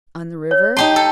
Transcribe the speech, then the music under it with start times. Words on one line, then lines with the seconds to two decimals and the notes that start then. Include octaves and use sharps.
"On the river?"
0.51 C#5
0.77 D#4 G4 A5 C6
0.96 A4